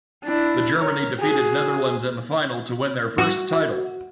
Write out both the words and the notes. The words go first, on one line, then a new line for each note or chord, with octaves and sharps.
The Germany defeated Netherlands in the final to win their first title.
D4 E4
A#4 C#5
F#4 G#4
F#4